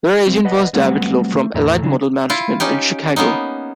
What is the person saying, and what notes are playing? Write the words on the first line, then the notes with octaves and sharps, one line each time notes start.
Their agent was David Love from Elite Model Management in Chicago.
G3 C4
B4 D5 D#5 F#5
F#3 G3 A3 C4 B4 F#5
A3
E2 A2 A4 A#5
C#3 F#3 D4
E4 F4
C#4 D#4 G4
A#3 B3 C#4 D#4